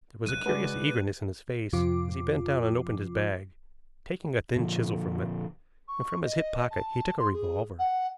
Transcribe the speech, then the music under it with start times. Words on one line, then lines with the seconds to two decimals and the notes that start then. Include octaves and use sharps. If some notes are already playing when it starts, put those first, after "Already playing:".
There was a curious eagerness in his face as he bent down and opened his bag, taking a thin chisel from it, and from his hip pocket he took a revolver.
0.26 D#1 C3 F#3 F#6 D#7
0.46 C#3 G#3 F#4 G#4 B4 D5
1.73 F2 C3 F3 F4 D6
4.56 A#2 D3 F3
5.88 C#6
6.22 D#5
6.71 A5
7.19 C6
7.33 G#4
7.79 F#5